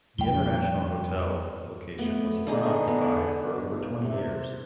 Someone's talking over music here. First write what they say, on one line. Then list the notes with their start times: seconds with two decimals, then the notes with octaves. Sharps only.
The International Hotel location was unoccupied for over twenty years.
0.18 F2 G3 G5 G7
1.99 A3 B3
2.47 D3 B3 D#4 G#4
2.88 B3
3.69 G1
4.04 C3